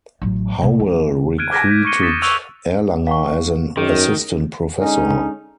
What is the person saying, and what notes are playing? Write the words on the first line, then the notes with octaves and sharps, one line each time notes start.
Howell recruited Erlanger as an Assistant Professor.
A1 F#3
C3 B3
F3
F6 F#6 G#6 D7 D#7
D6 F6 G#6 A#6 B6 D7
G6 G#6 B6
C#6 F#6 G#6 C#7 D#7 G7
D#6 A6 B6 E7
C#6 E6 F#6 G#6 F7
F5 F#5 C#6
F#2 D#3 G#4
D3 G#3 C#4 D#4